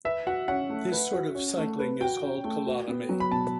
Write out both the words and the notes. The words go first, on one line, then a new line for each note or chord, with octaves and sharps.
This sort of cycling is called colotomy.
B4 E5
F#4 F#5
C#4 F#5
A3
B4
F#4
C#4
A3
B4
F#4 G5
C#4
A3
F#4
B3
F#3
B5
B2 A5